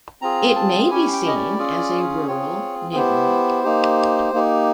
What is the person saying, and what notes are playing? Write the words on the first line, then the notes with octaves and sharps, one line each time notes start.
It may be seen as a rural neighbourhood.
C4 F4 G#4 A#5
A5
C#4 E4 G4 G#5
G5
D#5
D5
C#4 F4 G#4
C4 F4 G#4 C#5
B3 E4 G4 C5
A#3 D#4 G4
A#3 D#4 G4